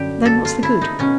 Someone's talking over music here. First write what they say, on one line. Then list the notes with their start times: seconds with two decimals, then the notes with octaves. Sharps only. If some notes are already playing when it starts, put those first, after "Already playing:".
"Then what's the good?"
Already playing: F#2 D3 G3 G4
0.25 A4
0.45 F4
0.63 E4
0.81 D#4
0.99 B2 C#4